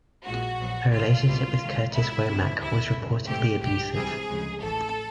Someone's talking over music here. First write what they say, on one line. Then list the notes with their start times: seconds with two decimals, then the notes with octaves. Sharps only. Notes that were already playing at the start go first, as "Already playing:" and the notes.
Her relationship with Curtis Womack was reportedly abusive.
0.25 A#1 A#2 F3 G#3 F#4
0.58 A#1 A#2 F#3 B3
0.93 G#1 G#2 D#3 F4
1.26 C2 B2 G3 C4
1.59 A#1 G#2 D#3
1.93 C#2 B2 G#3 B3 E4
2.26 D2 C3 E3 G3 B3
2.60 D2 D3 G3 B3 E4
2.94 G1 F2 C#3 E3
3.27 G#2 E3 A3 C4 G4
3.60 B1 A2 F#3 G4
3.94 C#2 C3 E3 G3 C4 G#4
4.28 D2 C#3 F3 G#3
4.62 A1 A2 E3 A3 A4